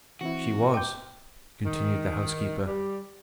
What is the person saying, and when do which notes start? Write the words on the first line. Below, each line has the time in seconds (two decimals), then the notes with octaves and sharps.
'She was,' continued the housekeeper.
0.21 E3 C4 E4 F#4
0.74 G5 D6 G6
1.65 D#3
2.66 G3